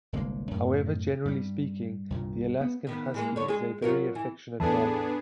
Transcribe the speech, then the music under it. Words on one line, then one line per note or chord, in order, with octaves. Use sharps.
However, generally speaking, the Alaskan Husky is a very affectionate dog.
G1 C2 G#3 A#3
F#2 A2
G2 G3
C2 G2 A#2
B3
D#3 B3
E3 G#3 A#3
D3 C#5
G#3 G#4
F#3 F4 A#4
E3
E2 A2 E3 B3 D4 G#4 A4 A5